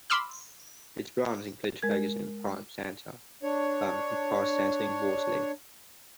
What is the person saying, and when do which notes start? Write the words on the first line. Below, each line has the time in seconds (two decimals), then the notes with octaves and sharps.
Its brands include Ferguson, Pipe Centre, Plumb and Parts Centre and Wolseley.
0.10 B5 C6 D6 E6 F6
1.82 G#3 A#4 G#6
3.43 D4 C#5